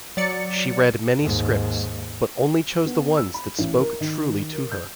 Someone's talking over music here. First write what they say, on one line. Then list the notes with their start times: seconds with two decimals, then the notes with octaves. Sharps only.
She read many scripts, but only chose the ones that spoke truly to her.
0.17 F#3 D5 A6 C#7
1.21 D#2 G#2
2.86 B3
3.17 E6
3.34 B5
3.59 A1
3.78 A#4
4.01 D#3
4.53 A#4
4.72 G6